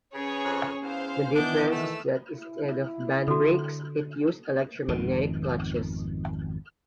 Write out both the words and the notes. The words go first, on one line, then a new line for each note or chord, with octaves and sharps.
The difference is that instead of band brakes, it used electromagnetic clutches.
C#3 C#4 G#4 B4 C#5
F2
E2 C5 F5
D#3 E3 B3 D4 D6 G6
A3 E6
E4
D3 F#4 A4
G#1 F2 B2 D#3